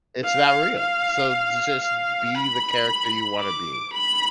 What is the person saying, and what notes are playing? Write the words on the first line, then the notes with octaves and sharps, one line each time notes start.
it's not real, so just be the character you wanna be.
F5
F5
F5
B5
D6
B5